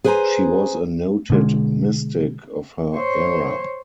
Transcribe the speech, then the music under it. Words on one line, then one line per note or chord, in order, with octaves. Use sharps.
She was a noted mystic of her era.
G#4 B4 C5 G5 G#5 A#5
B2 D3 G#3
C5 C#5